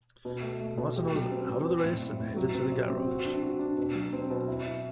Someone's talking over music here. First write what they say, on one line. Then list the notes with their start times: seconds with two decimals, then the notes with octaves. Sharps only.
Martin was out of the race and headed to the garage.
0.25 B2
0.42 A3
0.60 A3
0.78 B2
0.96 G4
1.14 F#3
1.31 C4
1.49 C4
1.66 B3
1.83 A2
2.02 A2
2.19 A2
2.36 F#3
2.54 C4
2.72 C3
2.89 C4
3.07 F#4
3.25 D4
3.43 F#4
3.59 D4
3.78 B2
3.95 F#3
4.13 C4
4.30 B2
4.48 E4
4.65 E4